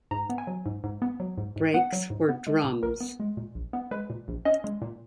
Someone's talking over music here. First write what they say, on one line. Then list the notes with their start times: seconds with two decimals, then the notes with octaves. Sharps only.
Brakes were drums.
0.11 G#2 A#5
0.29 B3
0.38 G#5
0.47 F#3
0.66 G#2
0.84 G#2
1.02 B3
1.20 F#3
1.38 G#2
1.56 G#2
1.74 B3 F#5
1.93 F#3
2.10 G#2
2.29 B3
2.47 G#3
2.64 A#2
2.83 A#1 A#4
3.01 B3
3.20 G#3
3.37 A#2
3.55 A#1
3.73 B3
3.91 G#3 B4
4.10 A#2
4.28 A#1
4.45 C#4 D#5
4.64 G#3
4.82 A#2